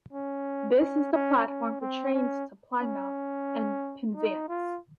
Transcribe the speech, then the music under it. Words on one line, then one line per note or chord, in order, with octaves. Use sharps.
This is the platform for trains to Plymouth and Penzance.
C#4
C#4
C#4
C#4
C4
C#4
C#4
D#4
F4